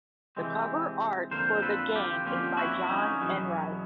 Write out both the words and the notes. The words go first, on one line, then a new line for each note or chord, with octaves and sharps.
The cover art for the game is by John Enright.
C3 E3 G#3 C4
F2 D3 F3 A#3 A#4 C5
A4 B4
F4 G4
F2 D3 F3 A#3 C#4 F4 G4
E4 F#4
C#4 D#4
E2 B2 F#3 B3